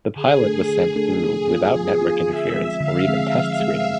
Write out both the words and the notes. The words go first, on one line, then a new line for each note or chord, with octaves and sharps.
The pilot was sent through without network interference or even test screenings.
D3 G#4
A3 D4 A4
D3
A3 D4 A4
F3 G#4
B3 F4
F3
B3 F4
D3 E5
F3 G#3 C4 G#4
D3 F5
F3 G#3 C4 G#4
F3
G#3 C4 G#4